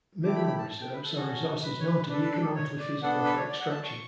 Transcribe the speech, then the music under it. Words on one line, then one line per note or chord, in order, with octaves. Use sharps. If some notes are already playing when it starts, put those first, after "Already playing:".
Mineral reserves are resources known to be economically feasible for extraction.
A3 E4 G4 D6
B5
B5
A5
A5
G5
B4
A4
C#4 F#4 A4
B4
C#5
B4
D4 A4 B4
B4
A4
C#5
D5
B3 D4 A4 F#5
B4
C#5
D5
F#5
A5
C#6